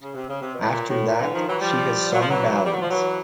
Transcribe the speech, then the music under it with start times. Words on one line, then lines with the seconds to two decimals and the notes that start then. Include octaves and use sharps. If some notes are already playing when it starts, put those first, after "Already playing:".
After that, she has sung ballads.
0.01 C#3
0.14 C3
0.28 C#3
0.41 C3
0.54 B2
0.65 A2
0.71 A#2
0.89 A2
1.07 A#2
1.20 D3 E3
1.33 D#3 F3
1.46 E3 F#3
1.60 F3 G3
2.12 F#3
2.20 F3
2.29 E3 F#3
2.65 G3
2.73 F#3
2.81 F3
2.89 E3 F#3